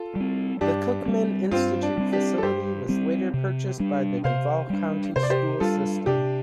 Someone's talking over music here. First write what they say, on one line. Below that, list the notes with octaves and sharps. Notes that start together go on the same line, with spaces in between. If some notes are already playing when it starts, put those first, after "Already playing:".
The Cookman Institute facility was later purchased by the Duval County School System.
Already playing: F4 A4
G3 C4
G2 D4 G4
G3 C4
G2 C4 F4
D4
G3 C4
D4 G4
A4
G2 G4 C5
G3 C4
C3
G3 D4
C3 C5 F5
G3 D4
C3 C5
D5
G4 C5
G3 D4 F4 A4
C3 D4 G4